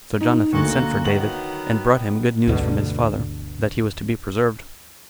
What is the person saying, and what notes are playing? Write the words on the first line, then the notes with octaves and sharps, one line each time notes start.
So Jonathan sent for David, and brought him good news from his father, that he was to be preserved.
D#4
D2 A#3 F#4
D#3 F#3 B3 F#7
D2 G2 B2 D3